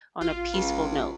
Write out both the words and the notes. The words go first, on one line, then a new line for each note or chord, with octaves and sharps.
on a peaceful note.
A1 F4
C#2